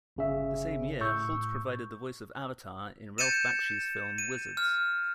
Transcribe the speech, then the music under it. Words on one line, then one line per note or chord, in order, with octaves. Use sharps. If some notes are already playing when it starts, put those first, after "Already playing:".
The same year, Holt provided the voice of Avatar in Ralph Bakshi's film "Wizards".
G1 C#3 E5
A2 C#6 E6 G6
G6 A6 C#7 D#7 E7
D#7
F6